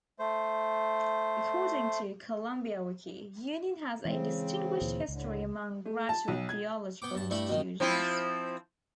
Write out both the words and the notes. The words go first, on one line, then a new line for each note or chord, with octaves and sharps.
According to Columbia Wiki, Union has a distinguished history among graduate theological institutions.
A3 C5
C#3 E3 G#3 C4
D2 A#2 E3
C#2 A2 D3
A3
A5
B1
G#6
B3 G5 D6
G2 A5
G2 G3 A3 E4 B5
B2 D#3
F3 C4 E4